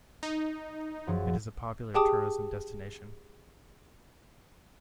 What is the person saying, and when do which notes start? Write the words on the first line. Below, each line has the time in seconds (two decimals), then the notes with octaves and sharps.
It is a popular tourism destination.
0.23 D#4
1.07 F#2 F3 G#4
1.94 G4 G#4 G5 A5 D6 D#6